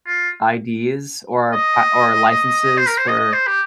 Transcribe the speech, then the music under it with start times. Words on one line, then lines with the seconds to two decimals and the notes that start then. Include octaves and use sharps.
IDs or pa or licenses for
0.07 F4
1.53 D#5
2.77 C5
2.87 A#4
2.98 C5
3.08 D#5
3.18 D#5
3.33 C5
3.47 G4